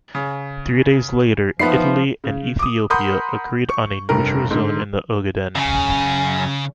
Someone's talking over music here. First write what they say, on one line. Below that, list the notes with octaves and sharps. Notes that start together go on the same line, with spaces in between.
Three days later Italy and Ethiopia agreed on a neutral zone in the Ogaden.
C#3
F3 B3 D#4 B4 E5 B5 C7
C#3
D6 D#6
A#4 F#5 B5 C6 D#6 G6
C#6
F1 G2 A#4
G#2 D3
F#2 C#3 G#5